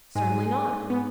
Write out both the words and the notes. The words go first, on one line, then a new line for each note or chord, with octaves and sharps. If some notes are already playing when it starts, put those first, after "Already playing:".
"Certainly not."
G#2 G#3 G#5
B3